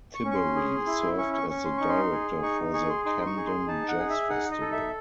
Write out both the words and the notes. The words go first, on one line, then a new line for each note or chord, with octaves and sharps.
Tiberi served as the director for the Camden Jazz Festival.
C#6
C#4
C#6
C6
G#4
E4
C#4 C#6
C#6
C#4 C#6
C6
D#4 C#6
C6
G#4
D#4 C#6
G#4 C#6
C6
D#4 C6
C6
C#6
G#4
C6
D#4 A5
F#5
G#4
E5
D#4 F#5
D#5
A4
E5